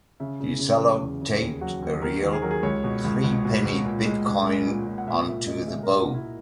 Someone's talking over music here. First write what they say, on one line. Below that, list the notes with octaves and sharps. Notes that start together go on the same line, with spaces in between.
She sellotaped a real 'threepenny bit' coin onto the bow.
C#3 E5
C#3
C#3
F#3
E2
C#3
D#2 G#4
F#3 F#4
D#2
D#2 A#4
D#3
G#4
F#3 A#4
G#4
C#2 C#5
B2
C#2
C#2
B2
C#2
A#2
G#3
G#3
G#3
A#2
A#2
F#5
A#2 E5
A#2 E5
G#3 D#5
G#3 E5
A#4
G#3
F#4
A#2
E4